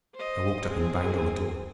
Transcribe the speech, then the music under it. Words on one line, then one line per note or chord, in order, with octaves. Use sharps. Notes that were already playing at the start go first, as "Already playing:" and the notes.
I walked up and banged on the door.
C5 D#5
C4 G#4